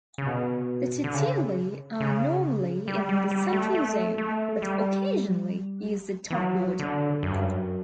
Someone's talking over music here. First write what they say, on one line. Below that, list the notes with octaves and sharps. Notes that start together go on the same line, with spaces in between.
The "tituli" are normally in the central zone but occasionally use the top border.
C#3
B2
D3
C#3
C#3
G3
G3
G3
A3
A3
A3
G3
E3
F#3
D3
F#2
G2
F#2